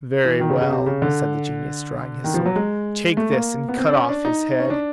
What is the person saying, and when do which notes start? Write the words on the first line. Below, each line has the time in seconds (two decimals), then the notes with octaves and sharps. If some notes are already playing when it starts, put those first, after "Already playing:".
"Very well," said the genius, drawing his sword, "take this, and cut off his head."
0.24 E3
0.40 D#3
0.50 C#3
0.61 C#3
0.70 C3
0.86 C#3
1.02 D3
2.24 D#3
2.34 F3
2.45 F#3
2.56 G#3
3.17 A3
3.32 A#3
3.69 B3
3.78 C4
3.88 D4
3.93 C#4
4.09 D4
4.25 D#4
4.59 C#4
4.70 D4